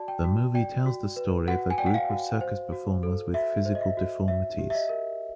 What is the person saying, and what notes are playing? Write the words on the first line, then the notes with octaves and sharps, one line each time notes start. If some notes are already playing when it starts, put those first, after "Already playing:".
The movie tells the story of a group of circus performers with physical deformities.
Already playing: F#4 D5 A5
G5
F#4
D5 G5
F#4
B4
F#4 F#5
G#5
D5 G5
F#5
F5
F#4
C5
F#4
A4
F#4 E5
C5
D#5
E5
F#4
C#5 E5
G4
E5
D#5
A#4